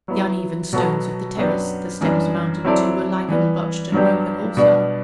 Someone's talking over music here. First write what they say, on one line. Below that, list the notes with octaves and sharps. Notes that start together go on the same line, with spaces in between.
The uneven stones of the terrace the steps mounted to were lichen-blotched and broken also.
F#3 B3 E4
B2 F#3 B3 F#4 A4
F#2 F#3 B3 D4 G4
F#2 E3 G3 B3 D4
F#3 C4 E4 A4 D5
E3 G3 B3
G2 F#3 B3 D4 G4
B2 G3 B3 D4